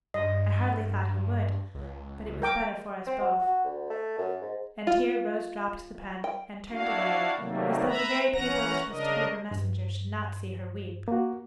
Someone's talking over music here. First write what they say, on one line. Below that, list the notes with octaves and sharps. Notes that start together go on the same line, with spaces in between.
I hardly thought he would; but it was better for us both.' And here Rose dropped the pen, and turned away, as though the very paper which was to be her messenger should not see her weep.
G2 D#5
C#2
A#4 G5 D6
C4
F#4
F#4
D2
A3
F#2
G#2
F4
G5
D4 E4 F#4 F5
C3 D#3 F#3 G3 A3 A#3
B4 E5 A#5 B5
E3 C#4 F#5 A#5 A#6
C#3 D4 A#4 D#5
G2
A#3 F#4